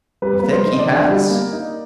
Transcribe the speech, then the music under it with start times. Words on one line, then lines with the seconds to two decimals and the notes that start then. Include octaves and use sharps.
"You think he has?"
0.22 G3 B4
0.40 A#3 B4
0.51 C5
0.66 D#4
0.73 D#5
0.79 D5
0.87 D3
1.09 G3
1.30 A#3
1.53 D#4